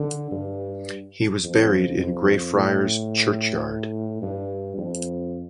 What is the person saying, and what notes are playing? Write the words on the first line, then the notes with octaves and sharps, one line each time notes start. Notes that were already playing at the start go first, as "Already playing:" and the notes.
He was buried in Greyfriars churchyard.
Already playing: D3
G2
F2
F2
A2
G2
F2